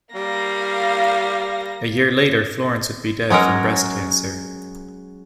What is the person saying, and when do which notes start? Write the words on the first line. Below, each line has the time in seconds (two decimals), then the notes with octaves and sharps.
A year later Florence would be dead from breast cancer.
0.15 G3 A#3 F5 A#6
3.30 F#3 G#3 C#4 A#4